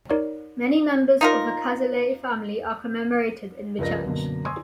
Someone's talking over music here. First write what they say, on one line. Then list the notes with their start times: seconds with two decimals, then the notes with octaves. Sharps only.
Many members of the Cazalet family are commemorated in the church.
0.10 D#4 A#4 C#5 D5
1.21 D#4 F4 A#4
3.79 C#2 G2 F3 A#4 D#5 A#6
4.06 F#2 B2 D3 F#3 A#3
4.45 G#5 C6 C#6 D#6 E6 G#6